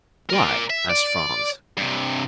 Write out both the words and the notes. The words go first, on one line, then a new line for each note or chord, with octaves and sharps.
"Why?" asked Franz.
A#4 D5
E5
D5
G2 C3